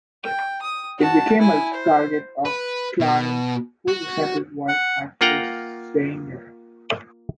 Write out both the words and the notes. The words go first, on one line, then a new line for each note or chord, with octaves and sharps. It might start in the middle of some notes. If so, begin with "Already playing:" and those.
It became a target of the Klanm who resented white activists staying there.
G5
D#6
F#4 A5
E4 G#5
C5
B4
B2
F#4
F#5
A#3 F4 F#5 G5 A#5